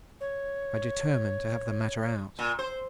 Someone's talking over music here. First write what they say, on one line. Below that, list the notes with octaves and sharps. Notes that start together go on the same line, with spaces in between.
I determined to have the matter out.
C#5
A#2
C5